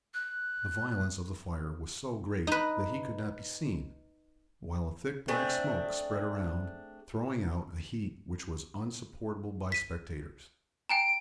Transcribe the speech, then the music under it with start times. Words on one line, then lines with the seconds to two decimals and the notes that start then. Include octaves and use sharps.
The violence of the fire was so great that he could not be seen, while a thick black smoke spread around, throwing out a heat which was unsupportable by spectators.
0.14 F#6
2.47 D#4 B4
5.28 A3 C4 D4 G#4
9.72 B6 D#7
10.89 G5 G#5 A#5 D7